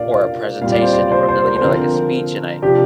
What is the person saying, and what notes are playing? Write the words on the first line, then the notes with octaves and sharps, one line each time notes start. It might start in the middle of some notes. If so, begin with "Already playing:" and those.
or a presentation or you know like a speech, and
Already playing: A#2 A#3 D4 D5 F5
F5
A#2 G3 C4 F5
D5
C5
D5
C5
C5
A#4
C5
D3 F3 C4 A#4
C3 F3 D4 G4